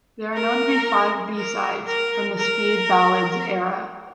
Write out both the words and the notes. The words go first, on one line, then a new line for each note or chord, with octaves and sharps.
There are known to be five B-sides from the "Speed Ballads" era.
A#4
A#4
A#4
A#4